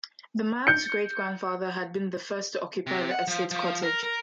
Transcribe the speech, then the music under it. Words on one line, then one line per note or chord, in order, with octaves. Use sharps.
The man's great-grandfather had been the first to occupy the estate cottage.
G6 C#7
C3
F#5
F3
F3
A#4
A#4